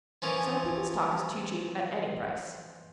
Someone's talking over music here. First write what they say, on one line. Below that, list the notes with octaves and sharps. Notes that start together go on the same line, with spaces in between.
Some people's talk is too cheap at any price.
E3 F3 C#4 A#4